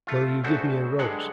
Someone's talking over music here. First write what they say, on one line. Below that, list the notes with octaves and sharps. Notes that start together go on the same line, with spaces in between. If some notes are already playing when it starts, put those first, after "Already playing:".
Will you give me a rose?
A3 F4
D2 C#3 A3 F#4 C5
G2 D3 F#3 G#3 F#5